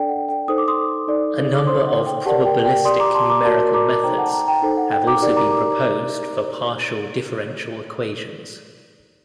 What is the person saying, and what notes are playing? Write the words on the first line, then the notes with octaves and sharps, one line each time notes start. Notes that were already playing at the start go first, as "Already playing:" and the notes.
A number of probabilistic numerical methods have also been proposed for partial differential equations.
Already playing: D4 A4 D5 G5
F#5
G5
D#4 A4 C5 D#6
D6
C6 D#6
D#4 A4 D5
D6
D#4 A4 C5 C6 D#6
F#5
G5
G4 A#4 D5 F#5 A5
G5
G5
G4 D5 C6 D#6
A#5 D6
A5 C6
A#5 D6
F#4 A#4 D5 A5 C6
A#5 D6
D#4 A4 C5 G5 A#5
F#5 A5
G5 A#5
G5 A#5
D#4 A4 C5
F#5
G5
A#5 D6
D#4 G4 A#4 D5
A#5 D6
A#5 D6